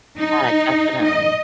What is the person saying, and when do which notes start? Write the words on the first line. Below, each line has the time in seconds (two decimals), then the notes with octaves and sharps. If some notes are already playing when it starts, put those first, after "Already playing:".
Yeah, definitely.
0.19 D#4
1.05 D#5